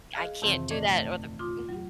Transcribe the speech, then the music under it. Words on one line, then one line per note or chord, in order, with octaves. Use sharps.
I I can't do that, or the mhm.
G#4 D#5 F5 F6 F#6 G#6
F2 C3 D#3 E3 C4
A#2 A3 C#4 D5 D#5 G#6
D#2 A3 A6 A#6
F4 C6 D6 D#6
F#3